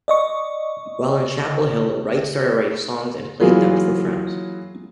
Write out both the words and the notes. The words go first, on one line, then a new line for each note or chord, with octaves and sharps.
While in Chapel Hill, Wright started writing songs and played them for friends.
D5 D#5 C#6
E3 F#3 A#3 F4 G#4